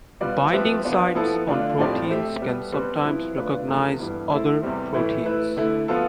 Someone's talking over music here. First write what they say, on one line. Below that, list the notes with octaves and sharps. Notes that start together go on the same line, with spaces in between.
Binding sites on proteins can sometimes recognize other proteins.
G3 B3 F4 B4 D5
F3 C4 G4 B4 E5
F3 B3 D4 F4
F3 B3 E4 A4
D3 A3 D4 F4
A2 F3 C4 G4 D5
A3 C4 G4 C5 E5
B2 G3 B3
B2 G3 C4 G4 B4
F3 C4 E4 B4
D3 A3 D4 F4 B4
E2 D3 F3 A3
G2 E3 G3 B3
A3 E4 A4 C5 E5
E2 C3 G3 C4
A2 E3 A3 E4
A3 E4 B4 E5
D3 A3 E4
F3 B3 F4 A4